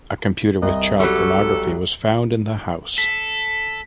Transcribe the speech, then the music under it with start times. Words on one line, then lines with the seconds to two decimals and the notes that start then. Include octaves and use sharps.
A computer with child pornography was found in the house.
0.62 C2 D#5
1.00 F#3 G3 A4
2.98 A4 B6